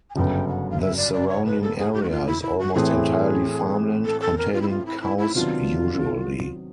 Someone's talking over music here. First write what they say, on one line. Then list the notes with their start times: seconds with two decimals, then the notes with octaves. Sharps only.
The surrounding area is almost entirely farmland, containing cows usually.
0.10 G#5
0.15 G1 F#2 C#3 G5
0.48 F#5
0.70 F5
0.81 E5
0.97 D5
1.13 D5
1.29 C#5
1.46 B4
1.62 A4
1.78 G#4
1.94 G4
2.03 F#4
2.10 F4
2.27 E4
2.42 E4
2.59 F#4
2.75 A2 E3 A3 C4 G#4
4.05 A4
4.21 A4
4.38 A#4
4.53 F4
4.62 E4
4.69 F4
4.86 E4
5.02 E4
5.18 E4
5.35 C3 D#3 F#3 B3 D4 F4